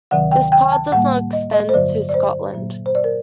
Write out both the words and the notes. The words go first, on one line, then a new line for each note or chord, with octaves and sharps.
This Part does not extend to Scotland.
D2 C3 D#3 F#3 F#5
G5
G5
A5
A2 G3 A#3 F#5
D#5
D#5
C5
G2 D3 F#3 D5
D5
C5
A#2 F#3 A#3
C5
D5
A#4